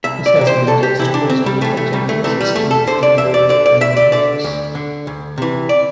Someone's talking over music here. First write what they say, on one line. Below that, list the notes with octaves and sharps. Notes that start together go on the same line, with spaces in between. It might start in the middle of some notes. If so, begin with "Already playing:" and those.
This has been juxtaposed with the gender system of the Indo-European languages.
C2 E5
D5
C3 E3
C5
C2 A4
G4
C3 E3 E4
D4
C2 C4
G3
C3 E3 A3
A3
C2 G3
A3
C3 E3 A3
G3
E2 A3
A4
D3 C5
D5
E2 E5
D5
D3 D5
D5
D2 E5
D5
D3 D5
D2
D3
D2
C3 E3
D5